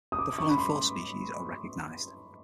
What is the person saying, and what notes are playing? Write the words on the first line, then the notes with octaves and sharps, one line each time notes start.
The following four species are recognized.
D#6
D6
C#6
B5
C6